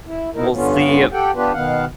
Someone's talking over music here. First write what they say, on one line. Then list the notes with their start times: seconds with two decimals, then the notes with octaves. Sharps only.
We'll see a
0.06 E4
0.34 C3 D#4 E4 A#4
0.53 G2 D3 B3 C#4 F4
1.12 G4 A4 F#5 G5
1.35 B3 D4 F4 G4 B4
1.53 B2 D#3 B3 F5 F#5